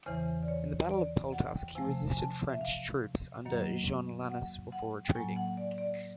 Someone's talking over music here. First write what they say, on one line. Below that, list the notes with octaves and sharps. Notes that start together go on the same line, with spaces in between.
In the Battle of Pultusk he resisted French troops under Jean Lannes before retreating.
E2 C#3 E3 C5
D5
C#5
D5
F#5
G5
C3 F3 A3 G#5
G#5
A5
E5
F5
F#2 D#3 F#3 A#3
F#5
F#5
G5
A2 F#3 A#3 G#5
F#5
D5
D5